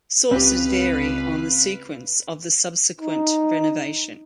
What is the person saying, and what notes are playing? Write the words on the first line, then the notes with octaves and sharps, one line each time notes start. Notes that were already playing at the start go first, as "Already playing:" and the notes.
Sources vary on the sequence of the subsequent renovation.
C#2 C4 G4 B4 F5
D#4